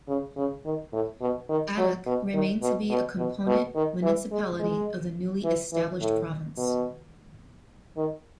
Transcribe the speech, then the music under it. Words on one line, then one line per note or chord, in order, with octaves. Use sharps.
Atok remained to be a component municipality of the newly established province.
C#3
C#3
D#3
A2
B2
D#3
F#3
B2
D#3
B2
B2
B2
B2
D#3
E3
G#3
G#3
E3
E3
A2
B2
D#3